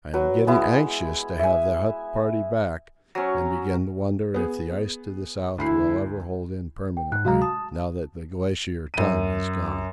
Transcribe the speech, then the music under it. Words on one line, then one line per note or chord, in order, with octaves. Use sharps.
I am getting anxious to have the hut party back, and begin to wonder if the ice to the south will ever hold in permanently now that the Glacier Tongue has gone.
F#3 B4
G#3 B3 E4
E5 G#5
F#3 C#4
B3 G#4
D2 E4 B5 C7
G5
G#2 F#6
C3 F#3 G#3 F#4 F5 A#5
A5 D#6
F#2 D#7